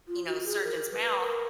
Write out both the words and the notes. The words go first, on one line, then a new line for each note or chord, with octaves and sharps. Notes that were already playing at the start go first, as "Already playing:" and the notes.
you know, surgeon's mouth
F4
F#4
G#4
A#4
B4
A#4